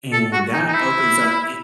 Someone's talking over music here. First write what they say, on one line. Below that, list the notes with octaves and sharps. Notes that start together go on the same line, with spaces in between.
And, that opens up eh
A4
F#4
D#4
D#4
E4